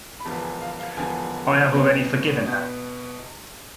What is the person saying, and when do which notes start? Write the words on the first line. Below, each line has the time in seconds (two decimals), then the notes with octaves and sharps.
I have already forgiven her.
0.20 B5
0.25 E1 E2 D3 F3 B3 A5
0.43 G#5
0.61 F5
0.79 F5
0.97 E1 E2 D3 F3 B3 G#5
1.71 C2 B2 B3
2.46 B2 B3